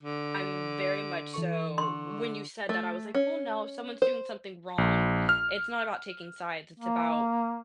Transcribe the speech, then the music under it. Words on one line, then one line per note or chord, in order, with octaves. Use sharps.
I'm very much so when you said that, I was like, "Well, no, someone's doing something wrong. It's not about taking sides, it's about
D3
E3 A4 C#6
D3 C6
A3
C#4
C5
A#1
F6
A#3